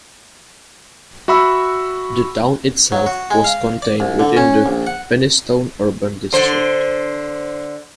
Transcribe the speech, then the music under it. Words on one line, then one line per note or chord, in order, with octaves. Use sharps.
The town itself was contained within the "Penistone Urban District".
F#4 E5 B5 C#6 E6
F#3
F#4
G#3
F5
D5
C2
D3
C#4
A#1
F#5
D3 C5